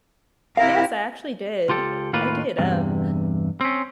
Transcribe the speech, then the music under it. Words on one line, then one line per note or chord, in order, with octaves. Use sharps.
Yes, I actually did. I did, um,
C3 E4 A#4 F5
C#2 F4 G4 A4
D#2 A2 A#3 F4 B4
E2 G2 C3
C4 C#4